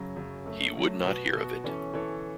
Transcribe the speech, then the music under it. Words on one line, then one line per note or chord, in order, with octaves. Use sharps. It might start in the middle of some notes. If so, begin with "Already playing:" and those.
He would not hear of it.
Already playing: F#2 C#3 F#3
F#2 C#3 F#3
F#2 F#3 A3
F#2 F#3 A3
B2 B3 F#4
B2 B3 F#4
E3 C#4 A4 C#5
E3 C#4 A4 C#5